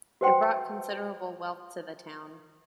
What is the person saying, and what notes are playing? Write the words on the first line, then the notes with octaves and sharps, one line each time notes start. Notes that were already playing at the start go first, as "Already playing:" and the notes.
It brought considerable wealth to the town.
F#4 B4 C5 F#5 G5 C6